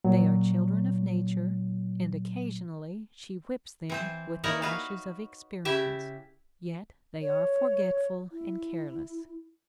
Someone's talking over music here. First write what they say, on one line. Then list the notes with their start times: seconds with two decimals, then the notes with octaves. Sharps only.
They are children of Nature, and occasionally she whips them with the lashes of experience, yet they are forgetful and careless.
0.04 A#2 F#3
3.90 E3 C4 C5
4.44 A#3 D#4 E4 A#4 C#5 D5
4.62 F#4 B4 F5
5.65 C#3 E4 G4 E5
7.22 C#5
8.32 E4